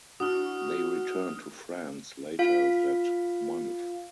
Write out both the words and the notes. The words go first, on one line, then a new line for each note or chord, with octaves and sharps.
They returned to France later that month.
D4 E4 F#4 D#6 F6
F4 F5